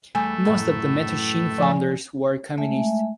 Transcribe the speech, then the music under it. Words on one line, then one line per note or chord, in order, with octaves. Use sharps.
Most of the Mattachine founders were communists.
E2 G3 A3 G#5
F#2 A2 E3
F3 G#5
G#3 A3 E5 G#5